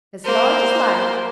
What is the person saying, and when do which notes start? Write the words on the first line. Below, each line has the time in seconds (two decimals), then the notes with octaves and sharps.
"As large as life."
0.25 A#3 C5